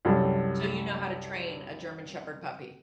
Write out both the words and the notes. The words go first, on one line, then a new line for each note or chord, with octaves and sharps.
So, you know how to train a German Shepherd puppy?
C2 F#2 G3 A4